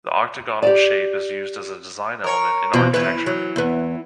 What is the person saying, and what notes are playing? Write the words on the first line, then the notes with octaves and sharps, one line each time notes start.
The octagonal shape is used as a design element in architecture.
G4 D5
A#4 C#5
E2 B2 F3
E2 E3 E4 B4
F#3
E2 B3